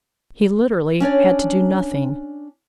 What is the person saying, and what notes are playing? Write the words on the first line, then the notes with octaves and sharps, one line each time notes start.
He literally had to do nothing.
C#4 D4 C#5 D5